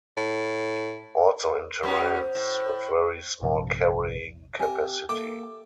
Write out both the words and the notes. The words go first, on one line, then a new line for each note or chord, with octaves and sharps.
Also in terrains with very small carrying capacity.
A2
F#3 B3 C#4
C5
A2
A#1 G2 C3 F3
C3 G4 A#4 G#5
A#3 A4 E5 G5 D6